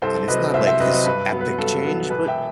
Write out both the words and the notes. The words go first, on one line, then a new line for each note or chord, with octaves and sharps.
and it's not like this epic change, but
C2 A4 C5
C3 F#3 C4 B4 D#5
C2 C5 E5
C5 E5
C3 F#3 C4 B4 D#5
B4 D#5
G2 B4
F#3 B3
B4
G2 A4
F#3 B3
E1 B4
E5 G5